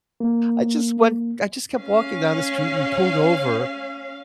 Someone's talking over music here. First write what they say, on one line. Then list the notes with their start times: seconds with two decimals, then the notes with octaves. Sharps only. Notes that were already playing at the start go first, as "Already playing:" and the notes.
I just went I just kept walking down the street and he pulled over
0.20 A#3
1.80 C#4 F5